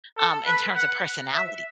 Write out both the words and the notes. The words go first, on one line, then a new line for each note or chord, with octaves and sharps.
um, in terms of personality.
A4
B4
F#5
E5